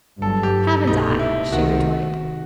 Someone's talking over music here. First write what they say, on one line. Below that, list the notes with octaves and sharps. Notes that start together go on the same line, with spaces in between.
"Haven't I!" she retorted.
G1 G2 F#3 A4
G4
C2 B2 A3 D#4
E4
C2 C3 D#3 F#4